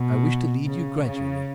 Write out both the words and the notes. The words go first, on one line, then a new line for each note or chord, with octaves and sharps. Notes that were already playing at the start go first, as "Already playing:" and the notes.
I wish to lead you gradually.
Already playing: B2
C#3
C#3